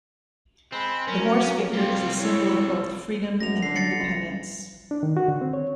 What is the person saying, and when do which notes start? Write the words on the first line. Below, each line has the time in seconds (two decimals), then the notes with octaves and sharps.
The horse figure is a symbol of both freedom and independence.
0.72 G#3 C4 B5
1.07 F#3 C#4 A#4
1.73 G3 C4 F4
2.19 E4 A4 C#5
3.40 F#2 A#6 F7
3.62 D3 C7
3.76 A6 A#6 C#7
3.99 C#2
4.91 D4
5.03 D#3
5.17 F#4
5.28 D3
5.41 C4
5.53 C#5